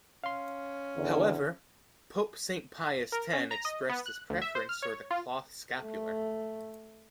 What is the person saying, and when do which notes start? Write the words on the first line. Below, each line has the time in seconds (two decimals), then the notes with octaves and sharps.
However, Pope Saint Pius X expressed his preference for the cloth scapular.
0.24 C#4 F5 C6
0.97 E2 D3
3.12 A#4
3.33 C#4
3.51 A#5
3.65 D#5
3.89 B3
4.06 F#6
4.30 D2
4.42 E5
4.55 C5
4.69 F6
4.82 C#5
5.11 F4
5.80 A3